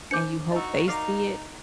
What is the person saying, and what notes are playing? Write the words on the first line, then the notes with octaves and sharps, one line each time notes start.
and you hope they see it,
D4 C5 D6 G6 C#7
D#4 F#4 D#5 E6
D#4 A#4 D5 F5